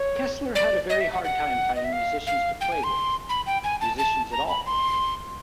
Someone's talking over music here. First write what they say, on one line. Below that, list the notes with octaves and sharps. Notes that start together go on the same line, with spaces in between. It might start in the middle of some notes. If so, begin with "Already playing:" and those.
Kessler had a very hard time finding musicians to play with-musicians at all, really.
Already playing: C#5
D5
D#5
E5
F#5
F#5
D#5
E5
F5
F5
G5
G#5
C6
B5
G5
G#5
A5
A5
A#5
B5
C6